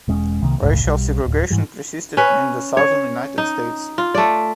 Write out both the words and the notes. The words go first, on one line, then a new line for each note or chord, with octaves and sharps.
Racial segregation persisted in the Southern United States.
E1 G#3 C#4
C2 C3 D#3 A#3
G1 C#2 A2
B1 G3
D1
G#2 E3 G3
C#4 B4
C#5
D#4
F4
A3 D5